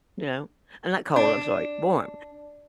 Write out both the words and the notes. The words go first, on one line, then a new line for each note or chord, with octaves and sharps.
You know? And not cold, I'm sorry, warm.
D4